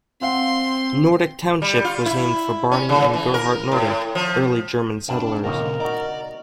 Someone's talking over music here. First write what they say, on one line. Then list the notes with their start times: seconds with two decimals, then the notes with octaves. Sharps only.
Nordick Township was named for Barney and Gerhard Nordick, early German settlers.
0.21 C4 F5 F#5 C6
1.62 G3
1.84 F4
2.06 E4
2.72 C#4
2.89 C#3
3.14 E3
3.34 A#4
3.72 A2
4.15 F3
5.09 C2 G2 D4
5.44 G1 D#2 A#2 C#3 F3 A#4
5.80 D#4 F#4 D5